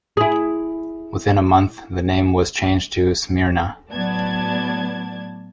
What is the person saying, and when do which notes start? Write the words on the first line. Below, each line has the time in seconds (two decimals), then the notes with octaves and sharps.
Within a month, the name was changed to "Smyrna".
0.17 E4 G#4
3.91 A2 F#3 B3 D5 A5 G#6